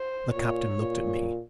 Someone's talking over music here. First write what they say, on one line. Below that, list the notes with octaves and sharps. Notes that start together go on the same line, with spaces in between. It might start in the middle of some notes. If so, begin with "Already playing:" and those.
The captain looked at me.
Already playing: C5
A#2 C#5
A#2